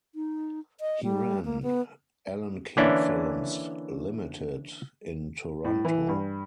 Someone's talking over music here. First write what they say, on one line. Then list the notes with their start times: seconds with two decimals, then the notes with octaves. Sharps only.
He ran Allan King Films Limited in Toronto.
0.15 D#4
0.80 D#5
1.04 G3
1.45 A#3
1.63 B3
2.77 D3 E3 A#3 C#4 D4 E4
5.65 A2
5.85 E3
6.08 G2